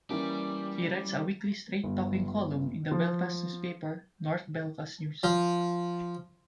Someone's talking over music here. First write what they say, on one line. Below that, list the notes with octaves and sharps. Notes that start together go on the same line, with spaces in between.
He writes a weekly "Straight Talking" column in the Belfast newspaper "North Belfast News".
E3 G3 A#3 C#4 G4
G1
F3
F3